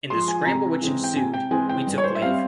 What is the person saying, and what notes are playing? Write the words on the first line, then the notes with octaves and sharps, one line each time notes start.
In the scramble which ensued, we took leave.
F3 G#3 C6
G#5
G#5
C3 A#5
E3 G#3 C4
G5
C3 G#5
G5
E3 G#3 C4 G#5
G5
G2
C#5
C5
E5
G3 C4 F5